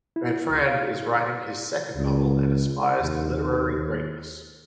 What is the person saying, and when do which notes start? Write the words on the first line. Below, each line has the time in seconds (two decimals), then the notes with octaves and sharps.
Bertrand is writing his second novel and aspires to literary greatness.
0.16 E4
0.49 C#2
0.67 F5
1.96 C#2
3.02 D#2